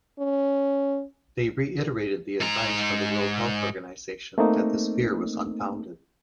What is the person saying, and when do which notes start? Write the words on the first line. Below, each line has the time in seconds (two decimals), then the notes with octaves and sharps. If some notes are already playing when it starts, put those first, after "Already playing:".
They reiterated the advice from the World Health Organization that this fear was unfounded.
0.19 C#4
2.40 G#2 A#5
4.38 A3 A#3 C4 D#4